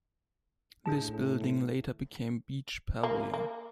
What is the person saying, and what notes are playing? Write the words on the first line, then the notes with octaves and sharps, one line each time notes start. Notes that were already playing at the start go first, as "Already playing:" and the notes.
This building later became Beach Pavilion.
A2 D4 G#4 A5
A#3
A#3